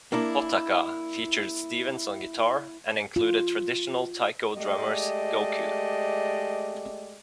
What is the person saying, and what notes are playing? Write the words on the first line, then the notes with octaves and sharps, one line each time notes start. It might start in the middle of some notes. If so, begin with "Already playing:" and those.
"Hotaka" featured Stevens on guitar, and included traditional Taiko drummers Gocoo.
A#3 D4 E4
F4
G#3 A3 G4 D5 D#5